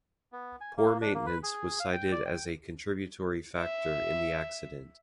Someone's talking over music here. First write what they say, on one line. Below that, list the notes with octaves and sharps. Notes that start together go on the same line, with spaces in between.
Poor maintenance was cited as a contributory factor in the accident.
B3
G#5
A#3
D4
A#3
B4
G#4
F5
G5
D5
G5
E5